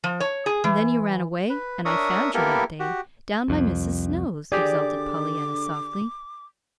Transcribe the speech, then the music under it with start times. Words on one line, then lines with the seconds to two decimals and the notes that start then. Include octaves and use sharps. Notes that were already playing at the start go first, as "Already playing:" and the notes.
"And then you ran away and I found you that day, down by Mrs. Snow's," exulted Pollyanna, softly.
0.04 F3
0.20 C#5
0.46 G#4
0.64 E3
1.50 B4
1.85 D4 A#4 C#5 E5 C#6 D#6
2.34 A#3 B3 E4 G4 A4 A#4
2.80 F#4 G4
3.48 C2 F2
4.52 D3 G4 G#4 D5 D6